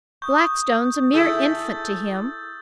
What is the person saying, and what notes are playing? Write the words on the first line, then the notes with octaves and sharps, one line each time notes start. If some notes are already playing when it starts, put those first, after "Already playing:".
Blackstone's a mere infant to him.
C#6 D#6 G6
E4 G#4 A4 E6 G6 A6